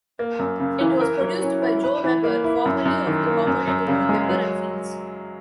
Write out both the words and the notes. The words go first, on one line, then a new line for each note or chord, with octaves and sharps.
It was produced by Joe Weber, formerly of the comedy duo Weber and Fields.
A#3
F#2
C#3
E3
A#4
F#3
C#4
E4
B4
E3
A#3
E4
F#2
F#2
D#3
A#3
F#2
F#2
C#3
G#3
F#3